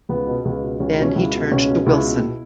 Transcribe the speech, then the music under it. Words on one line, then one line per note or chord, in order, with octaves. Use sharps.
Then he turned to Wilson.
C#2 B3
B2
C#2 B3
B2
C#2 C#4
E4
B2 C#4
C#2 E4
B2
C#2 C#4
B2
C#2 E4
B2